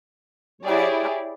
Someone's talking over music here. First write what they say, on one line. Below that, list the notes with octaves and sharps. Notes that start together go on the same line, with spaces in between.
Like, I
E4 G4 G#4 C#5 D5